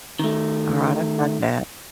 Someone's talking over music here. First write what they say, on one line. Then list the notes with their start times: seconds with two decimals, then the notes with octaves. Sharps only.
Alright, I've got that.
0.19 D#3 A3